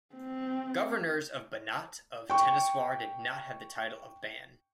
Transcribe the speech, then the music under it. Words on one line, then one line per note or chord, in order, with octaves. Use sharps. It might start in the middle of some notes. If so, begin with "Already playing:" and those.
Governors of Banat of Temeswar did not have the title of "ban".
C4
G5 C#6